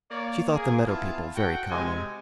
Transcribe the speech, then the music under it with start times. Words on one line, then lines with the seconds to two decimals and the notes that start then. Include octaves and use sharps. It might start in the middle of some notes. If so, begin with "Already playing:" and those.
She thought the meadow people very common.
0.11 A#3 C#5 D5
0.53 A#3 G#4
0.86 B3 E4 F4 G#4 A5
1.36 F#4 A4 F#5 G5
1.71 C3 G#3 C4 E4 D#5 G#5